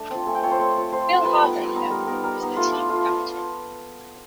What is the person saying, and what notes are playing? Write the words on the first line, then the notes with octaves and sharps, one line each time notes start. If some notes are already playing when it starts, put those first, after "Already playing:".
Bill Hardaker was the team captain.
Already playing: A3 D4
C4 F4
A3 G#5
G5
C4 F4 C#5
C5
A3 C#5
C4 F4
A3 C5
C4 F4
G3 B4
B3 D#4
G3
B3 D#4
G3 A#4
B3 D#4 A#4
G3 A#4
B3 D#4
A3 F4
D4 F4
A3 F4
D4 F4